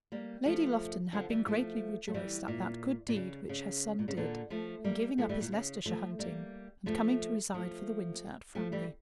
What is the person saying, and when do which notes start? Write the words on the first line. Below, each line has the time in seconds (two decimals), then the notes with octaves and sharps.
Lady Lufton had been greatly rejoiced at that good deed which her son did in giving up his Leicestershire hunting, and coming to reside for the winter at Framley.
0.12 G3 A#3
0.46 F3 A3
1.13 D3 F3
1.30 E3 G3
1.47 F3 A3
2.08 A3
2.14 E3 G3
2.48 A#2
3.08 A#2
3.16 C#3
3.49 C#3
3.99 A#2
4.08 C#3
4.17 A#2 D3
4.50 F3 A3
4.84 G3 A#3
5.18 F3 A3
5.29 E3 G3
5.41 A#2
5.52 C#3
5.86 F3 A3
6.19 G3 A#3
6.86 F3 A3
7.54 F3 A3
8.55 F3 A3
8.72 E3 G3